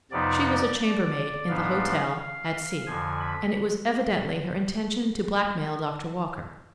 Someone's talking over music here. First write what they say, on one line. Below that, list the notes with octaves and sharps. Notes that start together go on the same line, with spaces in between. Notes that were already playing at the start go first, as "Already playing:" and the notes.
She was a chambermaid in the hotel at C--, and it was evidently her intention to blackmail Doctor Walker.
F2 C3 F3 B3 D#4 D5
D5
D5
G#2 F3 B3 D4 F5
F5
F2 D3 F3 G#5
B5